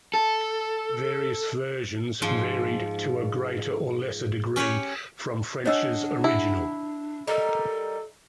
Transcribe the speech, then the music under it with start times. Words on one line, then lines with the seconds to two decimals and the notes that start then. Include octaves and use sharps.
Various versions varied to a greater or lesser degree from French's original.
0.14 A4
2.22 G#2 F3
4.56 C#4 G4 B4 C#5
5.65 D4 F#4 G#4 C#5 D#5 E6
6.24 E4
7.27 G3 D#4 A4 A#4